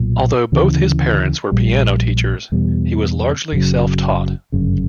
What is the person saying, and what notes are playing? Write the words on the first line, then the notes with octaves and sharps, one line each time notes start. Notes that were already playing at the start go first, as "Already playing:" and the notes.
Although both his parents were piano teachers, he was largely self-taught.
Already playing: B1 A#2 A#3
D2 C#3 E3
A#1 A#2 G3
E2 B2 G3
F#1 E2 C#3 F#3
G1 F#2 C#3